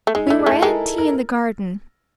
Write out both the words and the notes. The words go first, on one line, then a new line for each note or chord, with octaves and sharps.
We were at tea in the garden.
A3
G#3 D#4
E4
A3
G#4
A3 A4
G#3 A#4
A#4